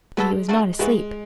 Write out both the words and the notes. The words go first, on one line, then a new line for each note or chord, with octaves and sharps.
But he was not asleep.
F#3 G#3 B3 F#4 A4
A3 D4 F#4
E3 G#3 B3 F#4 B4